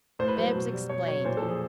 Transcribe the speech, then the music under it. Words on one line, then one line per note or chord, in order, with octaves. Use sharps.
Bibbs explained.
A2 C5
B4
F#3 C5
B2
G3
B2 C#5
F#3 C#5
A#2 C5
A4
F3
G#4